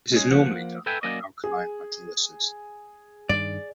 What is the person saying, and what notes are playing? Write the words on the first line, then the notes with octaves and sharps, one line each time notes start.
This is normally done by alkaline hydrolysis.
G#3 C#4 G#4
F3 A#3 F#5
A4 B4 E5 G5 G#5
F#3 A#3 C#4 D5 D#5
G#4
G2 D#3 D5